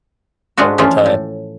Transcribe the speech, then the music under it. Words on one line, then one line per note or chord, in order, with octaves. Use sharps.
over time.
G#3 A3 D4 F4 F#4
E3 F3 G#3 A3 C#4 F4
A2